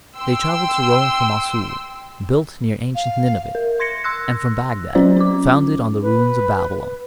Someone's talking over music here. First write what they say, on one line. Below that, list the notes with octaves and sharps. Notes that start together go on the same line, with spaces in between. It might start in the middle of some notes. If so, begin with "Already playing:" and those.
They traveled to Rome from Mossul, built near ancient Nineveh, and from Bagdad, founded on the ruins of Babylon.
G5 C6 E6
F5
A#4
C6 G#6 A#6 C#7
C6 E6 F#6 A#6
F#3 C#4 F4 C5 D5
C#4 D6
B4